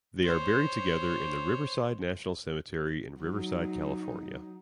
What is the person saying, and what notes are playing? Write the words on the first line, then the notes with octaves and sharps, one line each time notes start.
They are buried together in the Riverside National Cemetery in Riverside, California.
C5 C#5
F#3 D#4